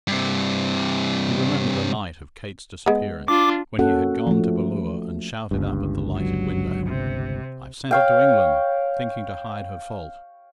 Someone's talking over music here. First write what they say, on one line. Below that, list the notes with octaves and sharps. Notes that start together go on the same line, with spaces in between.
He remembered the night of Kate's disappearance, when he had gone to Ballure and shouted up at the lighted window, "I've sent her to England," thinking to hide her fault.
G2 C3
G#3 B3
D4 F4 D6
A#3 C#4 F#4 A4 F#5
F3 A3
G1 C#2 G2
F#3
C3
C#5 F5 G5